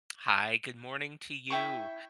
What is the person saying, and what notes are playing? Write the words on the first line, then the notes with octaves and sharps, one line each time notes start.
Hi, good morning to you.
E4 E5 G5 C#6